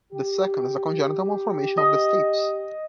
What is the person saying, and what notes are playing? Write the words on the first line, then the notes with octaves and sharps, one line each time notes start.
The second is a congenital malformation of the stapes.
G4
D#5